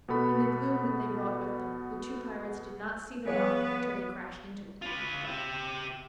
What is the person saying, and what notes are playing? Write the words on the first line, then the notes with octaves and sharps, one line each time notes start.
In the gloom that they brought with them the two pirates did not see the rock till they crashed into it.
B2 B3 A4 B5
F3 G3 B3 G#4 B4 C#5 F5
F4 B4
G4 E5